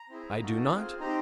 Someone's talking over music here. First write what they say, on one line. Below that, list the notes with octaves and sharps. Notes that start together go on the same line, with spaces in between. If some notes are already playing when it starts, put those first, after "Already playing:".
I do not.
Already playing: A#5
C4 E4 G#4
A#3 D#4 F#4 A4
C4 F4 G#4
C4 D#4 G4 A#5